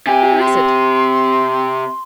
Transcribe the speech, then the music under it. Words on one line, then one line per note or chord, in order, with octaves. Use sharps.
"Where is it?"
C3 G4 G#5
C6